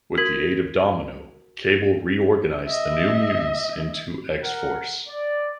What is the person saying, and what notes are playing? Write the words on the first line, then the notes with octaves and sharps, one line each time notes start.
With the aid of Domino, Cable reorganized the New Mutants into X-Force.
F#4 A#4 G#6 B6 F#7
D#5 E5
A#4 F#5
D5